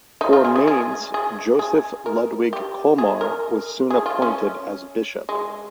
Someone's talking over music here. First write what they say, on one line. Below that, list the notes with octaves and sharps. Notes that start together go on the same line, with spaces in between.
For Mainz, Joseph Ludwig Colmar was soon appointed as bishop.
D#4
F4
G#4
G#4
G#4
G#4
G#4
A#4
G4
G#4
A#4
G#4
F4
C#4
G#3